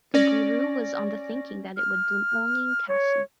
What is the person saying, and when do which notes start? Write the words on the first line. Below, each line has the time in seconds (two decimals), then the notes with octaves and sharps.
The guru was on the thinking that it would bloom only in Kasi.
0.14 C#4 D5 A#6
1.77 F6
2.88 C#5